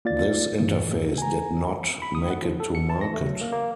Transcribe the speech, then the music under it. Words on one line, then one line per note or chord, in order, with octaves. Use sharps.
This interface did not make it to market.
A#3 F4 D5 A6
G2 A#2 D3 E3 A#3
G#5 A#5
B5
D#6
F#5
F3
A4
C#7
A5
A#6
A3
F#3
A#3
A#3